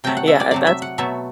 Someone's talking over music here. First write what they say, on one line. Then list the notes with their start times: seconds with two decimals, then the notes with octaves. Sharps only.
yeah, that's
0.04 C3 F#3 A3 G5
0.17 F#5
0.28 E5
0.40 D5
0.51 C3 F#3 A3 D5
0.67 E5
0.82 F#5
0.98 B2 F#3 A3 E5